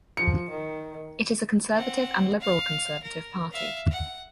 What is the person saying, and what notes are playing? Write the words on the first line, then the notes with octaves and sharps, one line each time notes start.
It is a conservative and liberal conservative party.
F3 C#7
D#3
C4 F#5
F5
A#4
E5 F5
F#5